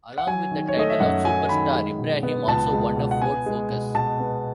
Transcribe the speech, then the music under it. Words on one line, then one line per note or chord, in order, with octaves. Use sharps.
Along with the title of Super Star, Ibrahim also won a Ford Focus.
F#5
F#3 G#5
D#3
C#5
A3 D#5
E5
F#2 F#5
F#3 G#5
D#3 B5
G#3
B2
B3
C#2 A5
G#3
B2
F#5
B3 G#5
G#3
B2
B2 A5
B3